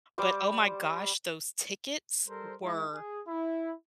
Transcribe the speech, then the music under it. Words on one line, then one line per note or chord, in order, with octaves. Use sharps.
but oh my gosh, those tickets were
G3 C5 D6
G3 A4 A#4 C5
G#3 E4
G#4
E4